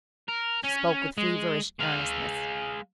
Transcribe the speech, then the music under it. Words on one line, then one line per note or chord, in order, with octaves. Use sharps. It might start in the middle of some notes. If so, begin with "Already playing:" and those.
She spoke with feverish earnestness.
A#4
C#4
G#3
G#3 F5